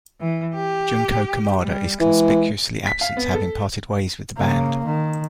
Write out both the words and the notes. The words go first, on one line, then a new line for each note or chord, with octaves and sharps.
Junko Kamada is conspicuously absent, having parted ways with the band.
E3
G4
G3
E3 G#3
B6
F5
B3
A4
C#3 A#3
D#3